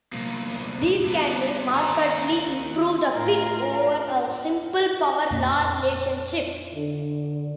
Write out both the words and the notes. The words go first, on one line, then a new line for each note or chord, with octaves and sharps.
This can markedly improve the fit over a simple power-law relationship.
C2 A#2
G2 B3
D#2 A#5
A2 F4 A#4
F2 A#2 A#3
D3